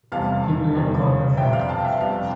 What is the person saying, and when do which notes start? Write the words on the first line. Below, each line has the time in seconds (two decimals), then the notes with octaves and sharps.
He played cornerback.
0.12 F1 E2 C3 G3 F5 A5
0.75 F1 E2 C3 G3
1.37 G1 F2 C3 E5 G5
1.53 D5 F5
1.69 F5 A5
1.85 E5 G5
2.00 G1 F2 C3 F5 A5